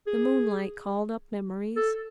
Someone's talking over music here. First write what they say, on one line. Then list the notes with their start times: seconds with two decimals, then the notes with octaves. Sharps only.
The moonlight called up memories.
0.07 G#4
1.76 A4